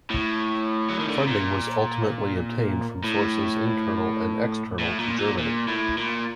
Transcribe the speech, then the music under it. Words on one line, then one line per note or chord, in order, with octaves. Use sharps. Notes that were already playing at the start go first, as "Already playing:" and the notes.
Funding was ultimately obtained from sources internal and external to Germany.
A2
F#3
D#3
D3
C3
A#2
A2
A2
A#2
A#2
A#2
A2
A#2